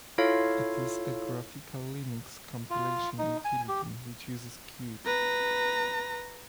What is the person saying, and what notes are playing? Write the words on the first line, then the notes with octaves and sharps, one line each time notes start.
It is a graphical Linux compilation utility, which uses Qt.
E4 F4 A4 C#5 F5
F4
D#4
G#5
G4
B4 A#5